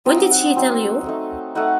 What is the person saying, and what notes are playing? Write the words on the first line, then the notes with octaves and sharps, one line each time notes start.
When did she tell you?
F#3 C4 D#4 D#5
F#5
F#3 C4 D#4
A3 D#4
A3 D#4 F#5